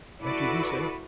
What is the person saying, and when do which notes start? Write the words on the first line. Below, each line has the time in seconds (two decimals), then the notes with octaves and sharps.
"What did you say?"
0.22 E4 F#4 A4 B4 D5